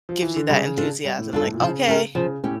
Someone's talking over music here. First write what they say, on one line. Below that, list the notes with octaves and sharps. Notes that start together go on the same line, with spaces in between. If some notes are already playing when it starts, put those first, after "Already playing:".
gives you that enthusiasm, like, "Okay,
F3
E3
D3
C#3 G3
D4 F4 A4
G3
A2
G2 D4 F4 A4
A2
A#2
C#3 F3
C#4 G4 A#4
C#3 F3
A2 C#4 G4